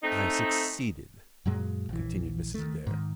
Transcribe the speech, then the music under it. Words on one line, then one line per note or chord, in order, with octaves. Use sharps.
"I succeeded," continued Mrs. Adair.
A3 C4 D#4
F#2 A#2 F#3 G#3
A#1 E3
D#3 A3
G#2 D#3